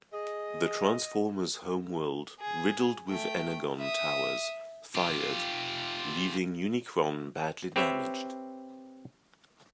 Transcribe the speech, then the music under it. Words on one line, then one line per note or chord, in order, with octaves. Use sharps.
The Transformers' homeworld riddled with Energon towers, fired, leaving Unicron badly damaged.
G#4 D#5
G#4
A3 G5
E5 D#6
F4 G4
C4 G4 B4 C#5 E5